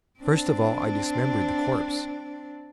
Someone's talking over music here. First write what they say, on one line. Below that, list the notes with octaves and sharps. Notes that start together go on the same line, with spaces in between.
First of all I dismembered the corpse.
C4 D4